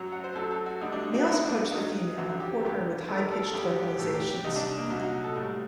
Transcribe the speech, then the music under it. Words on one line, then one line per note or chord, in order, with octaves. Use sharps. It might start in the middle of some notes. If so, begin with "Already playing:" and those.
Males approach the female and court her with high pitched vocalizations.
Already playing: F#2 F#3 F#5
F#5
C5
F#2 F#3 A4
A4
F#4
D2 D3 G3 D#4
D4
D#4
F#4
D2 D3 F#3 F#4
D4
G2 F#3 D#4
F#2 D3 F#3 F#4
G4
G2 D3 F#3 G4
G2 D#3 G3 A4
A#4
A4
A4
G2 D#3 G3 G4
F#4
G4
G4
A2 F#3 A4
G4
G4
C2 C3 G3 D#4
D4
A#3
C2 A#2 F#3 D#4
F#4
A4
A2 G3